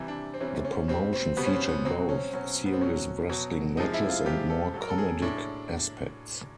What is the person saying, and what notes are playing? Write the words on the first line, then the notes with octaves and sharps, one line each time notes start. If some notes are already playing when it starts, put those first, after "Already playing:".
The promotion featured both serious wrestling matches and more comedic aspects.
Already playing: C3 E3 G3
D4
C4
C3 E3 G3 C#4
C#4
B2 G3 C4
C4
B2 G3 B3
C#4
C4
B3
B2 F#3 C4
C#4
B2 F#3 C#4
B3
C4
B2 F#3 C#4
B2 F#3
C3 F3 G#3 D#4
E4
F4
C3 F3 G#3 G4
A4
A2 F#3 A4
A#4
A4
G#4
A2 D4